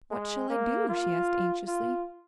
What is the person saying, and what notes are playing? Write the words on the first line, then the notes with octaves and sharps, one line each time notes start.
"What shall I do?" she asked anxiously.
G#3
A#3
F4
F4